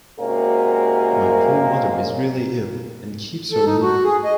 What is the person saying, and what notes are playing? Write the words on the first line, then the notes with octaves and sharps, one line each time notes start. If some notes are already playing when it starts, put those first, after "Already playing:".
My poor mother is really ill, and keeps her room.
G#2 C3 A#3 C#4 F#4 A#4
A4
D#4
F#4
G#4
D#5